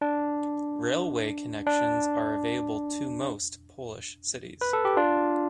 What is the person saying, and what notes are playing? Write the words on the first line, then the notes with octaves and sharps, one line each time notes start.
Railway connections are available to most Polish cities.
D4
D4
B4
A4
G4
D4 F4